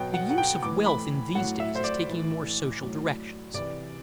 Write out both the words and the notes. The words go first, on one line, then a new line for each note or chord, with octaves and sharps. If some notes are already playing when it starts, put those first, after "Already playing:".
The use of wealth in these days is taking more social directions.
Already playing: B2 F#3 G5
F#5
F#5
G5
A2 E3 D6
B5
A2 F#3 F#5
E5
C5
D5
A2 E3
A2 F#3
C3 E3 D5